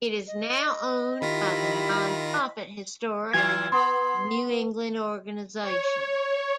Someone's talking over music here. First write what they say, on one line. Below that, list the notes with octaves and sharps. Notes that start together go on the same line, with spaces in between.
It is now owned by the nonprofit Historic New England organization.
D#5
D#3 E4 F4 G4 B5 A#6
E3 F#3 F4 G#6
B3 C6
C#5